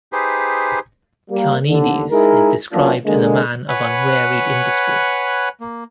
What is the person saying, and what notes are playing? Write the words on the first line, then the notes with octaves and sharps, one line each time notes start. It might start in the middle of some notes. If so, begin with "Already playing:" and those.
Carneades is described as a man of unwearied industry.
D#4 G4 G#4 B4 C5
G3 A#3
D#2 D3
G#3 D#4 E4 G#4 A#4
F#3 A#3 B3 C#4 D4 F4
D3 G#3 A#3
B4 C#5 F#5 G#5 B5
A#3